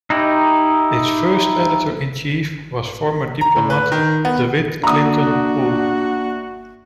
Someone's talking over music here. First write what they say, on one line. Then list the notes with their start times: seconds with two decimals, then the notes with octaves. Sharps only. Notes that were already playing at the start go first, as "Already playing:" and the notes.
Its first editor-in-chief was former diplomat Dewitt Clinton Poole.
0.10 D#4 E4 G4
3.41 A#5
3.56 A2
3.70 B4
3.92 D#3
4.25 B3
4.84 A#3 D4 F#4 E5 F#5 A#5 D#6